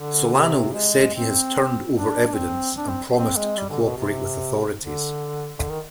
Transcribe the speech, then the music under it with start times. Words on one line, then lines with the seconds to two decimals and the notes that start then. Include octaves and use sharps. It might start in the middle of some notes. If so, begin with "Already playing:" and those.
Solano said he has turned over evidence and promised to cooperate with authorities.
Already playing: D3
0.34 C3
0.73 G#3
1.14 C4
1.95 D4
2.27 D4
2.35 C4
2.76 D4
2.89 C4
3.16 C4
3.37 G#3
3.57 G3
3.69 D3
3.84 B2
3.97 C3
4.78 D3
5.58 D3
5.69 D#3